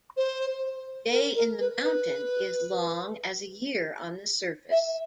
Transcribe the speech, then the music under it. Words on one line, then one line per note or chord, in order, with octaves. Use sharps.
Day in the mountain is long as a year on the surface.
C5
A#4
A#4
B4
B4
E5